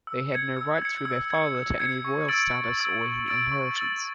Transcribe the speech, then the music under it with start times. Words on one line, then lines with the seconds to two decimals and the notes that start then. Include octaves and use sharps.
They had no rights through their father to any royal status or inheritance.
0.07 E6
0.33 G#6 C#7
0.57 E6
0.82 G#6 C#7
1.05 E6
1.30 G#6 C#7
1.55 E6
1.80 G#6 C#7
2.05 C#6
2.29 E6 A6 D7 F#7
2.53 C#6
2.77 E6 A6 D7 F#7
3.02 C#6
3.26 E6 A6 D7 F#7
3.52 C#6
3.75 E6 A6 D7 F#7